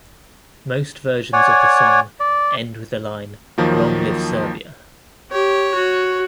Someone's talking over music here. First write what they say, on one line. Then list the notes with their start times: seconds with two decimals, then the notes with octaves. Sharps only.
Most versions of the song end with the line "long live Serbia!".
1.33 C#5 D5 F#5 G#5
2.20 D5
3.58 D#2 D#3 F3 F#3 A#3
5.32 G4 C#5
5.75 F#4